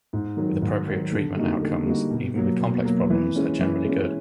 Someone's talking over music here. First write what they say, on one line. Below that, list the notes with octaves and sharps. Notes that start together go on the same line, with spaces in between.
With appropriate treatment outcomes, even with complex problems, are generally good.
G#2
D#3 F#3
G#2
D#3 F#3
D3
G3 A#3 D#4 F#4
D3
G3 A#3 D#4 F#4
B2
F#3 A#3
B2
F#3 A#3
E3
G#3 C#4
E3
G#3 C#4